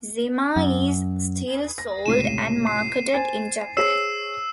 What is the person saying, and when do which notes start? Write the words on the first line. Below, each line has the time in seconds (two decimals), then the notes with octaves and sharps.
Zima is still sold and marketed in Japan.
0.56 F#2
1.78 A#6
2.06 C#2 A2 C3 C7 D#7 E7
2.67 C7
3.14 C5 G#5 A6
3.77 G#4 C5 C#5 E6 C7 E7